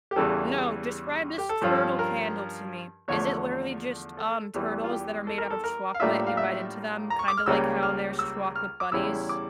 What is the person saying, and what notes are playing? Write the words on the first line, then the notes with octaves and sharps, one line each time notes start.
No, describe this turtle candle to me. Is it literally just, um, turtles that are made out of chocolate and you bite into them, kinda like how there's chocolate bunnies?
G4
E2 C#3 E3 G3 A4
G4
A4
G2 F3 C#4 F4
A#4
E2 D3 F3 A3 C#5
A4
E2 E3 G3
F4
G4
A4
A#4
A4
A#4
F5
A2 G3 A#3 D4 F4 E5
F5
E5
A#5
C#6
D6
F6
C#2 C#3 G3 A#3 C#4 E6
F6
E6
F6
D6
E2 C#3 G3 C#4 E4 E6
D6